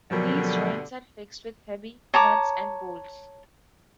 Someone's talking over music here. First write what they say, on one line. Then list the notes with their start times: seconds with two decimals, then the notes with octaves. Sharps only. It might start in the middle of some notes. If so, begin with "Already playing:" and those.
These joints are fixed with heavy nuts and bolts.
0.11 G2 B2 D3 F3 F#3 A#4
2.14 C#5 A5 A#5 D6